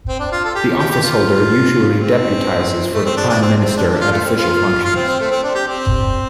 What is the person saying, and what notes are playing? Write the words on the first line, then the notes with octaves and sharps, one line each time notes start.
The officeholder usually deputises for the Prime Minister at official functions.
C4
D4
F4
A4
G4
G4
G4
F4
C4
A3
C4
D4
D4
C4
C4
D4
D4
F4
A3
C4
F4
F4
C4
C4
A3
C4
D4
G4
C4